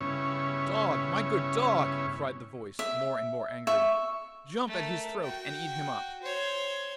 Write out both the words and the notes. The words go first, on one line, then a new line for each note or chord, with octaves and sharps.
'Dog, my good dog,' cried the voice, more and more angry, 'jump at his throat and eat him up.'
G2 C#3 B3 C#4 E4 C#5
E5
E5 C#6
A3 A#4
F#4 G5
C5 C#5